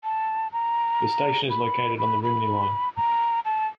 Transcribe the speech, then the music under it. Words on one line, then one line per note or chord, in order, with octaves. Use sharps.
The station is located on the Rhymney Line.
A5
A#5
B5
B5
B5
A#5
A5